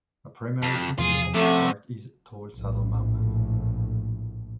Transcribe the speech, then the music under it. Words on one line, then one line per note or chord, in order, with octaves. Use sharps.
A primary feature of the park is tall Saddle Mountain.
F2
E2 C3 F3 F4 G#4 D#6
C3 F3 A3 C#4 F#4
A#1 A2